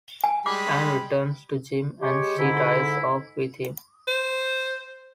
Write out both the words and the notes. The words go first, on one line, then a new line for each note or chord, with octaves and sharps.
Ann returns to Jim and she drives off with him.
G#5
G3 G#3 B5 D6
G#3 G4 C#5
G#2 D3 E4
C5